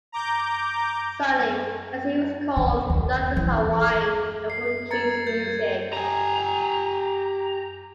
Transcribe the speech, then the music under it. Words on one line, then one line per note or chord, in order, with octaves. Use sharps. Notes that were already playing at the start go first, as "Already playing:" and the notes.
Sonny, as he was called, loved his Hawaiian and Portuguese music.
A#5 D6 G6
D#3
D#2
E3
C7
A#4 A#5 G#6 A6 C#7
G6
G4 G#5 A#5